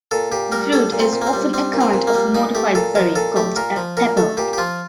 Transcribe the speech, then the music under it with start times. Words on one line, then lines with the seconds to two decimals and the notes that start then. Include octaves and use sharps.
The fruit is often a kind of modified berry called a pepo.
0.11 A#2 A4
0.32 A#2 G4
0.52 G3 A#4
0.72 G3 A4
0.92 A#2
0.99 C4
1.13 A#2
1.22 A#3
1.27 C4
1.33 G3
1.53 G3 C4
1.73 A#2
1.81 C4
1.94 A#2
2.07 A#3
2.15 G3
2.35 A#2 D#4
2.55 A3 G4
2.75 A#2 A4
2.95 F3 A#4
3.15 A#2 A4
3.36 A3 G4
3.56 A#2 A#4
3.76 F3
3.97 A#2 A#4
4.17 A3 A4
4.37 A#2 G4
4.53 G4
4.58 F3 F4